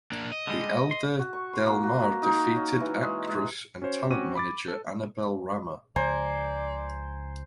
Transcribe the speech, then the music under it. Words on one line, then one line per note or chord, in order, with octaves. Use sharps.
The elder Del Mar defeated actress and talent manager Annabelle Rama.
A#3 D4
D#5
D3 G3 G#3
C6
F#4
C#6
C6
A#3
F#4
A#4
D#4
C#4
E3
G#3
G#3
C#4 F#4 C5 C#5
C4 C#4 F#4 D6 D#7
B5 D6 A6
A4
C#2 C#3 F3 C5 D5 G#5 A#5 G#6